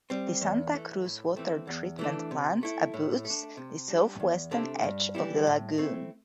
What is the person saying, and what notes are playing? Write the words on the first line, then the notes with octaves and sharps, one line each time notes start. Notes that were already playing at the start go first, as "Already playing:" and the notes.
The Santa Cruz Water Treatment Plant abuts the southwestern edge of the lagoon.
G3 C4
E2
E3 A3
A2
E3 A3 C4
E2
E3 A3 D4
C3
A3 E4
A2
A3
D4
C3
G3 D4
E2
C3 A3 D4
G2
E3 G3 E4
A2
A3 C4 E4